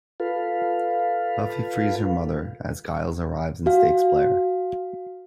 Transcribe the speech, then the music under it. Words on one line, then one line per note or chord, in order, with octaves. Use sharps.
Buffy frees her mother as Giles arrives and stakes Blair.
F4 A4 B4 F5
F#4 F5